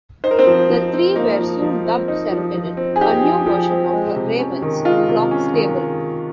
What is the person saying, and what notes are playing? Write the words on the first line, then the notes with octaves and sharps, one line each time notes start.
The three were soon dubbed Serotonin, a new version of Raven's Flock stable.
D#4 C5
A#4
C4 C5
F3
F3
C4
A#3 D#4 A#4
F3
F3
C4
D#4
F3
F3
C4
G#4
D#4 G4
F3
F3
C4
G#3
C3
C#4
D#3
G#3 F4
C3
C#4
D#3